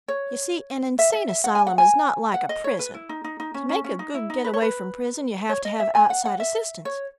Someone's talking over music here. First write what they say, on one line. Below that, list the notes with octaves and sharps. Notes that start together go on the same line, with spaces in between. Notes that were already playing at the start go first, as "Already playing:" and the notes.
You see, an insane asylum is not like a prison; to make a good get-away from prison you have to have outside assistance.
C#5
E5
E5
E5
F#5
G#5
F#5
G#5
F#5
D#5
C#5
B4
E4
D#4
D#4
D#4
C#4
C#4
C#4
D#4
E4
D#4
B4
C#5
B4
C#5
D#5
E5
G#5
F#5
F#5
E5
C#5